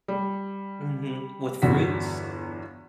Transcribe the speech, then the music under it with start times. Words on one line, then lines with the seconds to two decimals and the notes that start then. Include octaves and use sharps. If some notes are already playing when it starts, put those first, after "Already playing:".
Mhm. With fruits?
0.08 G3
1.62 G1 E2 F#4 B6